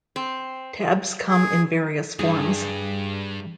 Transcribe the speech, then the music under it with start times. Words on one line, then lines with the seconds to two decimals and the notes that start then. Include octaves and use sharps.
Tabs come in various forms.
0.16 C4
1.28 G#4
2.19 G2 G#4